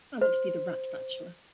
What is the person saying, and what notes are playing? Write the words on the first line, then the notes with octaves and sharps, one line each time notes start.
I want to be the rat bachelor.
C5